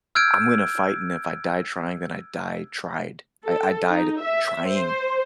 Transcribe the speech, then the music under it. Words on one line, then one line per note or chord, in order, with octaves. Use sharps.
"I'm gonna fight, and if I die trying, then I die tried I I died trying."
E6 F6 G6 G#6 D7
A4
D#4
E5
C5